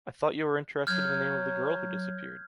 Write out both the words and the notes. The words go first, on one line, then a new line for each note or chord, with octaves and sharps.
I thought you were interested in the name of the girl who disappeared.
F#3 F6 G6 G#6